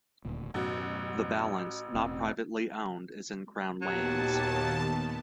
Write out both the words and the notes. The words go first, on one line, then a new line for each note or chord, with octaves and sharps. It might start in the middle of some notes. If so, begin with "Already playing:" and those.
The balance, not privately owned is in Crown Lands.
D#1 D2 A#2
A1 F#2 B2 F#4
E1 A2 C4
D#2 A#2 F#3 B3 G4 A5